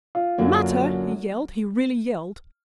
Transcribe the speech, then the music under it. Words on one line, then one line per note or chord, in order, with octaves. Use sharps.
"Matter!" he yelled; he really yelled.
F4
F#2 D3 F#3 A#3